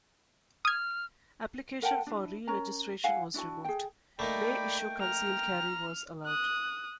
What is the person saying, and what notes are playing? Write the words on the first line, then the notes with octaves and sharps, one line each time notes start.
Application for re-registration was removed, May issue concealed carry was allowed.
D#6 F6 G#6
A#4 F#5 G5 A5
D4 E4
C#4 A#4 A#5
E4 F5 F#5 G#5
D4 E4 F#4 A5
G#4 G5
A3 A#3 D#4 D5 G5 B5
G5 A#5 F6
D#6 F#6